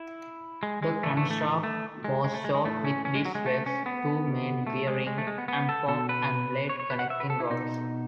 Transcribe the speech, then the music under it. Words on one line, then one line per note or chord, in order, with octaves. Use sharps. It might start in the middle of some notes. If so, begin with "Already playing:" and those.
The crankshaft was short with disk webs, two main bearings and fork-and-blade connecting rods.
Already playing: E4
G#3
G#3
A2 E3 A3
A3
A3
A3
G#3
G#3
A3
G#3
G#3
A2 E3 A3
C#4
C#4
G#3
F#3
G#3
A3
C#4
B3
B2
A3
G#3
G#3
A3
G#3
B3
B3
A4
B2 A4
B4
C#5
C#5
B4
F#5
E5
B4
A4
E4
B2 D#4